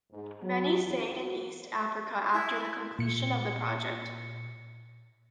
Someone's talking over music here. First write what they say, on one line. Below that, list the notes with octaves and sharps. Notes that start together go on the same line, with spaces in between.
Many stayed in East Africa after the completion of the project.
G#2
F#3
E2
F#4
E4
A#2 C#7